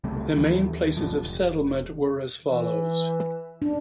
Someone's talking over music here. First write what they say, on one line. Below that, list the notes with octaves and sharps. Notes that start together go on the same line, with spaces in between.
The main places of settlement were as follows.
C#2 C3 G3 A3
D#2 E3 G3
F1 D2 G2 F3
F1
E3
D4